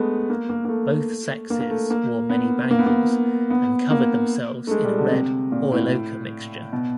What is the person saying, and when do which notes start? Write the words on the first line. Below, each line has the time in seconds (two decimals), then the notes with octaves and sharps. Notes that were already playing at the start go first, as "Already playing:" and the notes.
Both sexes wore many bangles, and covered themselves in a red oil-ochre mixture.
Already playing: G#3 A3 B3
0.30 A#3
0.49 A#3
0.65 A#3
0.69 A3
1.50 A#3
1.60 A#3
1.70 A3
1.90 A#3
2.29 B3
2.71 A#3
2.79 B3
2.86 A#3
3.50 B3
3.91 A#3
4.67 A3
4.71 G#3
4.84 G3
4.98 D3
5.11 C3
5.52 A#2
5.72 A2
6.73 B2